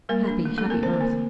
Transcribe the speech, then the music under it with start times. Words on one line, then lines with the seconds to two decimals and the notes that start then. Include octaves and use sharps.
Happy, happy earth!
0.09 G3 A#3 A#4
0.28 D4
0.45 A3
0.58 A3 A4
0.65 C4
0.70 A#3 A#4
0.83 D3 C4 C5
0.93 C5
1.01 D3 A#3 A#4